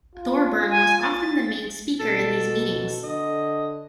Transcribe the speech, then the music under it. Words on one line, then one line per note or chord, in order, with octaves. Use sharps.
Thorburn was often the main speaker in these meetings.
F4
G#5
A6
B2 A4
D3 D#5